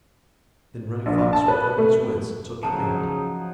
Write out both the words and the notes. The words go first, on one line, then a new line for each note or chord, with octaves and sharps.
Then Running Fox recovered his wits, and took command.
A#1
A5
B4
A3
C#3 F3 F#3 D#4 A5 A#5